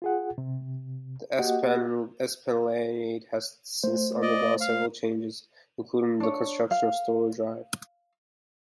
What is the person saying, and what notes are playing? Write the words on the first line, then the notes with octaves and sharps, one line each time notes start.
The Esplanade has since undergone several changes, including the construction of Storrow Drive.
F4 G#4 F#5
C3
A#3 F#4 G4 D#5 F#5
A3 C5
D5 D#5
F5
D4 C#5
F5